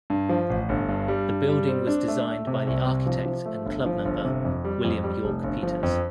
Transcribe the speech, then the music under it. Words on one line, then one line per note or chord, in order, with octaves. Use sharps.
The building was designed by the architect and clubmember William York Peters.
G2
F3
A1
G1
G2
G3
G2
G3
C4
D4
A3
A3
C3
C2
C3
F3
F3
A3
G1
F3
G1
C3
F2
G3
F2
G3
F1
G1
F3
F2